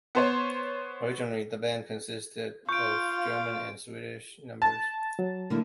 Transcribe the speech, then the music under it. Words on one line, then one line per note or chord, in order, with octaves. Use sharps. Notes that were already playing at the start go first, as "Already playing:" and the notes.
Originally the band consisted of German and Swedish members.
B3 C5 C#5
F4 F5 C#6 G6 D7
A5
F#3
D3 A#3 E4